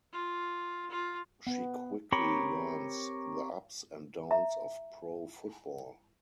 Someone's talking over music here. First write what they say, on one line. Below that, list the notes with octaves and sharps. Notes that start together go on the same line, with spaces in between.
She quickly learns the ups and downs of pro football.
F4
F4
B3
C4 G4 A#4 C#5 B5
E5 A#5